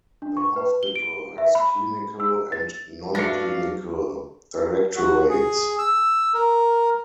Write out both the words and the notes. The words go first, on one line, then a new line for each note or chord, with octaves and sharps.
The hospital has clinical and non-clinical directorates.
D4
C#6
B4
G7
D7
E5
B5
E6
A6
G2 F#3 A3 D4 F5 A#6 C#7
F#4
G#4
E6
A#4